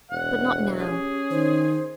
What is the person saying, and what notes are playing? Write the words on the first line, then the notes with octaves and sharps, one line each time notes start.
But not now.
E1 F#5
C#4 G4 G#4
D#3 C5